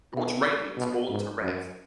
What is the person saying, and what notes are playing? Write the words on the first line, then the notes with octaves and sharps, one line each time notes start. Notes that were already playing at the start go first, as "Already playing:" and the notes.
George Rainy was born to Rev.
B2
B2
G#2
F#2